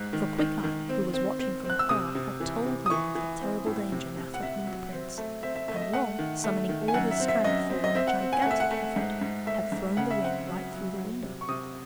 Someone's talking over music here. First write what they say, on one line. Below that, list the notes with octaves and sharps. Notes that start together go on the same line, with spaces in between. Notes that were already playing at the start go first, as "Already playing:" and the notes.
For Quickeye, who was watching from afar, had told Long of the terrible danger now threatening the prince, and Long, summoning all his strength for one gigantic effort, had thrown the ring right through the window.
Already playing: G#2 F#6
D#3
D#3
D#3
C4
C4
C4
C4
F#6
E6
C3 D#6
C3
E3
C3
D#6
E3 C#6
E3
C4
A2
C3
C3
F#5
C3 E5
F#3
C4
A3
C4 E5
E5
A3 E5
D#5
E5
A3 F#5
D#3
A3
D#3
G#5
F#2 F#5
E5
C4
E5
F#2 D#5
C4
D#5
C4 E5
F#5
C4
G#5
F#5
A3
E5
F#5
A3
G#2
G#2
A3 E5
G#2
C#3 F#5
E5
C4 F#5
F#3
F#3
F#3
C3
C#6
C3 D#6